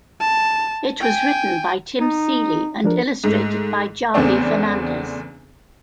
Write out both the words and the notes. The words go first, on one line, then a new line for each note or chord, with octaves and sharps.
It was written by Tim Seeley and illustrated by Javi Fernandez.
A5
G5 G#5
D#4
F3 D4 A#4
G#2 A3
E2 C#3 A3 B3 C4 D4